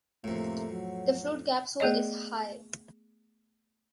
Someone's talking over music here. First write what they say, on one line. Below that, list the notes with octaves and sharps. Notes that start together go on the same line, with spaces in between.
The fruit capsule is high.
F2 A2 C3 A3 A#3
F#3
A3 B3 G#4 D5 D#5